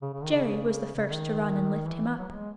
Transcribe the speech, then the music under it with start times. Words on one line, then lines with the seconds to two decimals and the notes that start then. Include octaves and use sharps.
Jerry was the first to run and lift him up.
0.02 C#3
0.13 C#3
0.23 D#3
0.33 C#3
0.95 C#3
1.10 D#3
1.87 E3
2.18 F#3
2.28 F#3
2.33 G#3